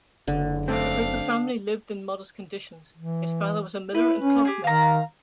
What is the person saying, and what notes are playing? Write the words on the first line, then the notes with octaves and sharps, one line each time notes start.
The Quaker family lived in modest conditions; his father was a miller and clockmaker.
F#1 D3
A3 C4 D4 F5
E3
E4 B4
C#4
G4 G#4
D#3 F5 A#5